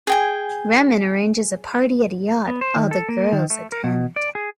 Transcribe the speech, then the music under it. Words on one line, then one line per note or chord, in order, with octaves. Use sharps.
Rehman arranges a party at a yacht; all the girls attend.
G#4 G5 G#5
B3
C5
D#3
A4
A#3
D#3
A3
A#4
B2
D5
G#4